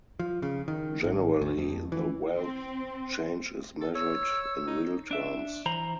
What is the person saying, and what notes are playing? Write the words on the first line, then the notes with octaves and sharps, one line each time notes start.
Generally, the wealth change is measured in real terms.
F3
C#3
D#3
G#1
D2
F2
E3
C4
A4
C#5 E6
D#4
D4 E5
E3 C5 A#5 B5